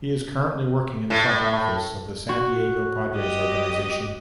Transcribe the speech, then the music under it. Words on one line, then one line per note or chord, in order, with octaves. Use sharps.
He is currently working in the front office of the San Diego Padres Organization.
A2
F#4
G4 D#5